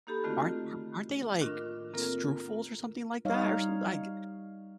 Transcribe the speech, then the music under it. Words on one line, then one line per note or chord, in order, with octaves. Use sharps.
Aren't are aren't they, like, strufels or something like that or something like
A#3 D#4 G4 A4 B5
D3 D#3 A3 C4 F4 F#4
A2 D#3 D4 F4 A#4
A#3 C4 F4 A4 A#4
G3 D#4 C#5 D#5 F5